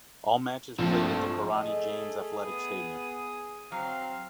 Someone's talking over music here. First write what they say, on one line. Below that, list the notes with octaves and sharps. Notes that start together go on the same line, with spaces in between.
All matches played at the Kirani James Athletic Stadium.
A#1 G2 F3 A3 C4 A5
A3 G#4 D#5
B3 D#6
F#3 C4 F5